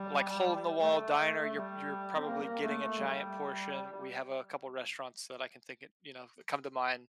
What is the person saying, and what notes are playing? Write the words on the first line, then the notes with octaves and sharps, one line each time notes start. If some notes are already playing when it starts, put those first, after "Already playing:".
like, hole-in-the-wall diner, you're you're probably getting a giant portion. We have a couple restaurants that I can think it you know, that come to mind
Already playing: G3
A3
G3
C4
A#3
A#3
A3
G3